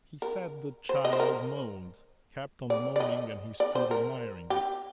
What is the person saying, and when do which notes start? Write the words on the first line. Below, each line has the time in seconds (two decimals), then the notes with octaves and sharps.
He said the child moaned, kept on moaning and he stood admiring it.
0.22 A#4
0.89 C5
1.05 D#5
1.13 C5
1.20 A#4
2.70 D5
2.96 D5
3.00 D#5
3.60 D5
3.75 C5
3.91 A#4
4.50 G4